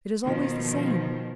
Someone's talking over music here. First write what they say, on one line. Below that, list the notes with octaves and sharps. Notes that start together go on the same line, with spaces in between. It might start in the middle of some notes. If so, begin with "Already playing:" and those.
It is always the same.
B2 D#3 F3